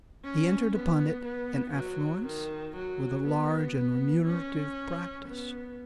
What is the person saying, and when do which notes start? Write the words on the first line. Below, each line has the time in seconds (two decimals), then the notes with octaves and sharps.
He entered upon it in affluence, with a large and remunerative practice.
0.25 C#4
0.75 B3
1.25 B3
1.76 F#3
2.26 D#3
2.77 F#3
3.27 B3
3.78 B3
4.27 C#4
5.28 B3